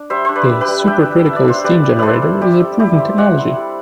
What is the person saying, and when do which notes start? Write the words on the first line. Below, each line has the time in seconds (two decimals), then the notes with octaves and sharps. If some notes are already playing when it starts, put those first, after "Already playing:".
The supercritical steam generator is a proven technology.
Already playing: D4
0.10 G3 C5 E5
0.25 D4 C5
0.36 B4 D5
0.49 G3
0.61 G4 B4
0.68 G3
0.87 D4 E5 G5
1.06 G3
1.26 D4 E5
1.36 D5
1.44 D4 C5 E5
1.64 G3 B4 D5
1.84 G3
1.99 G3 A4 B4 C5
2.22 D4
2.42 G3 G4
2.60 C4
2.79 E4 G4
2.98 C4
3.18 C4 D5 F#5
3.38 E4
3.56 G3